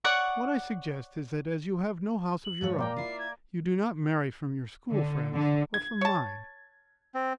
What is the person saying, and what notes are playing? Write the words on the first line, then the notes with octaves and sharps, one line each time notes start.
What I suggest is that, as you have no house of your own, you do not marry from your school friend's, but from mine.
C#5 D5 F#5 C#6
F#7
G#2 F3 C#5
A#3 D5 G5 A#5
E4 F4 C7
G#6
D3
D3
G#6
C#5 A5
C4